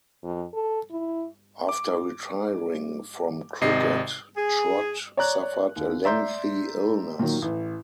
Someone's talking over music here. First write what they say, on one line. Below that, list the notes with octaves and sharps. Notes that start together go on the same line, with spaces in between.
After retiring from cricket, Trott suffered a lengthy illness.
F2
A4
E4
D6
G#1 C3 D#5 C7
G#4
C#5 D5 A#5 F#6
D#2
D5 E5 A#5 C6 G6
A#2 D#3 F#3
A1